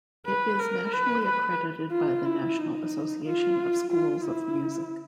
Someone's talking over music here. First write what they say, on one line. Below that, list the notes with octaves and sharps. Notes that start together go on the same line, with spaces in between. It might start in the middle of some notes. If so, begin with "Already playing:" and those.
It is nationally accredited by the National Association of Schools of Music.
B4
A#4
B4
B4
F4
E4
D#4
F4
F4
E4